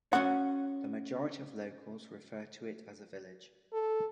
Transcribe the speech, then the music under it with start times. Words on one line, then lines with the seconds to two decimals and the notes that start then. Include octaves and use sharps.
The majority of locals refer to it as a village.
0.13 C#4 F#4 F#5
3.73 A4